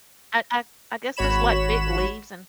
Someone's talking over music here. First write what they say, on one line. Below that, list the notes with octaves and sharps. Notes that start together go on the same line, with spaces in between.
I I I guess 'cause, like, big leaves and
G#1 F#4 C#5 B5 E7